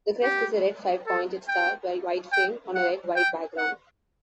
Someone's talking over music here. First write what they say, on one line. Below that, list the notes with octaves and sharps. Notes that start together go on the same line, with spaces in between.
The crest is a red five-pointed star, white framed, on a red-white background.
G4
A4
G5
G5
F#5
G5
F#5